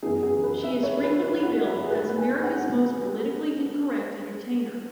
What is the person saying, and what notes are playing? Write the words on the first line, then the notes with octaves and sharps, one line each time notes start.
She is frequently billed as America's Most Politically Incorrect Entertainer.
F#2 E3 B3 G#4
G#4
B4
E5
C#5
B4
B4
F#4
E5
G#4
B4
G#5
F#5